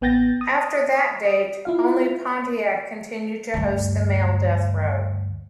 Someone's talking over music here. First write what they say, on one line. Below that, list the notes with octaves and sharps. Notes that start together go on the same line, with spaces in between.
After that date, only Pontiac continued to host the male death row.
A1 B3 G5 G6 A6 A#6
D#6
E4 F4 F5
D2 G2